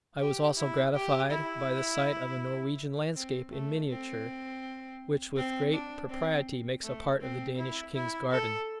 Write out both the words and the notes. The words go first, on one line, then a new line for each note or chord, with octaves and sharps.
I was also gratified by the sight of a Norwegian landscape in miniature, which with great propriety makes a part of the Danish King's garden.
G4
E4
G4
E4
C4
A3
C4
C4
D4
C4
A3
C4
E4
E4
A4